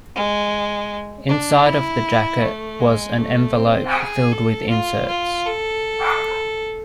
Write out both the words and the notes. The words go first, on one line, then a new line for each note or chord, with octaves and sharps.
Inside of the jacket was an envelope filled with inserts.
G#3
D4
E4
A3
G#3
A3
C4
G#4
A4
F4
F4
A4